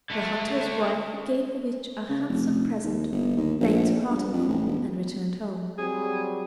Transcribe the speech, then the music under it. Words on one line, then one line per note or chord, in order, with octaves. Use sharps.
The hunter's wife gave the witch a handsome present, thanked her heartily, and returned home.
D3 A3
C#3
F1
D#2
G1
D#2
A#1
G2
F2
A1
E1
F#3 G3 C4 G#4